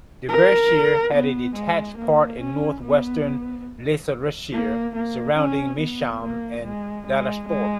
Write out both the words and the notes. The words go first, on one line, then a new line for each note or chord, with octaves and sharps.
Derbyshire had a detached part in north-western Leicestershire, surrounding Measham and Donisthorpe.
A#4
B3
G#3
A#3
C#4
B3
A#3
A#3
C#4
B3
A#3
G#3
G#3
G#3